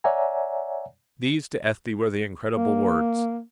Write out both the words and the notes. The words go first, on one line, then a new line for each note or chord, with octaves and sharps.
These to Ethne were the incredible words.
C#5 D5 E5 F#5 G#5 A#5
A#3